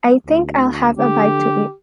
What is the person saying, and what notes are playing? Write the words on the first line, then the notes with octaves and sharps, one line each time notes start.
I think I'll have a bite to eat.
D2
D3 G4